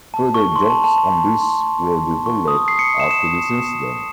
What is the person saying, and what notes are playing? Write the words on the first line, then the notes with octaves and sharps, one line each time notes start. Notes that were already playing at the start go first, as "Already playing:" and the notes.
Further jokes on this were developed after this incident.
A5
C#6
C6
A5
A5
A5
C6
C#6
D#6
C7
C#7
E7
E7